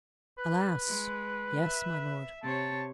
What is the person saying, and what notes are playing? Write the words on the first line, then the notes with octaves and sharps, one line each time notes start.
"Alas! yes, my lord."
B4
G#3
E5
C3 C#5 A5